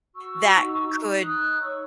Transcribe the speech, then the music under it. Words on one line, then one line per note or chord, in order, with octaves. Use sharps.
that could
F#4 C#6 E6
D#4
D#4
D#4 D#6 F#6
C#5 C#6 E6